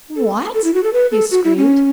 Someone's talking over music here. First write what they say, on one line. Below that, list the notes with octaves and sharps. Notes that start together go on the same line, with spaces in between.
"What?" he screamed.
A4
A4
E4
F#4
A4
B4
A4
F#4
E4
C#4